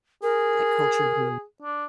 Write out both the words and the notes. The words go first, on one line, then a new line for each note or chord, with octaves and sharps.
that culture being
G#4 A#4
D4